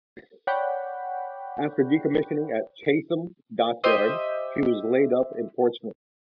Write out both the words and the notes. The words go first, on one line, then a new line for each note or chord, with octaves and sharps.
After decommissioning at Chatham Dockyard, she was laid up in Portsmouth.
C#5 D5 F#5 G5 B5
G4 C5 D#5 E5